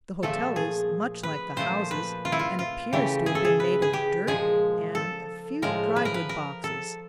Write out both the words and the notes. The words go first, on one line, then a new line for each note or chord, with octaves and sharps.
The hotel is much like the houses, and appears to have been made of dirt, and a few drygoods boxes.
A#2 F3 A3 A4
G#4
B4
A#2 F3 A3 C5
B4
F4
E4
F4
F4
C#3 E3 A3 G4
G#4
A4
G#4
B4
G#4
G4
A#2 F3 G#3 G#4
A4
A2 F3 G#3 A#4
B4
A#4
B4
A#4
A4